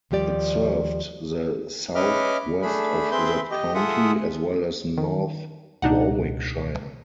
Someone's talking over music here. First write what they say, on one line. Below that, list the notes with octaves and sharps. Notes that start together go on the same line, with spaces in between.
It served the south-west of that county, as well as North Warwickshire.
D#2 F3 G3 G4 D5
C#4 B4 D#5 E5 D6 F6
A3 D4 G#4 B5
C4 G#4 B4 E5 C6 G6
G4 D#5
F4 G#4 A4 E5 F#5 D#6
D#3
C#2 B2 D4 D#4 F#5